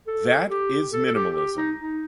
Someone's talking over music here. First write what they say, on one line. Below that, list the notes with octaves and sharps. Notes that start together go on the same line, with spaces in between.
That is minimalism.
A4
G4
A4
A4
G4
G4
D#4
D#4